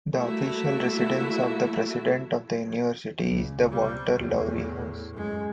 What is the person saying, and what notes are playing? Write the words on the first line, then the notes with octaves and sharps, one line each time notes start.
The official residence of the president of the university is the Walter Lowrie House.
G3 A3 A#3 E4 F#4 E5
C#2
C3 G3
E2 A2
F#2 G#3